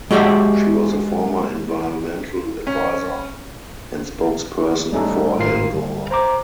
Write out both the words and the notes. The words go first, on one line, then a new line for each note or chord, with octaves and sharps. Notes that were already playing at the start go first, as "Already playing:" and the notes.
She was the former environmental adviser and spokesperson for Al Gore.
G#3 F#4 G4 D5 E5 F5
C#4
G3 A3 C#4 D#4 A4
G#1 A2 D#3 F4 A#4 C7
G1 G3
C5 A#5 D6